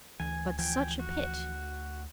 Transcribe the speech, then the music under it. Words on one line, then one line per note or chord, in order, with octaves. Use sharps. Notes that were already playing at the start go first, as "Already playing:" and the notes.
But such a pit!
D2 E3 G#5
E3 F3 G5 G#5
F#4